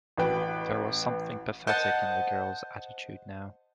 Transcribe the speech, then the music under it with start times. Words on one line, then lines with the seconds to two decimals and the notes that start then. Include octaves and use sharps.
There was something pathetic in the girl's attitude now.
0.17 A1 F#4 B4 G5
1.67 C5 D#5 F#5 A5